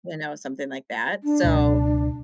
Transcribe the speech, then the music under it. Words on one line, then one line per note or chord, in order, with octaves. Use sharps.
you know, something like that, so,
D4
C#2 B2 F#3